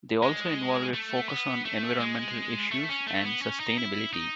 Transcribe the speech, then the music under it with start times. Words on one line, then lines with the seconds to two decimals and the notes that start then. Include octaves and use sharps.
They also involve a focus on environmental issues and sustainability.
0.23 G#3
0.94 A3
1.29 B3
1.65 A3
2.00 G#3
2.71 A3
2.89 C#4
3.06 A3
3.25 B3
3.41 C#4
3.60 D#4
3.77 E4
4.13 D#4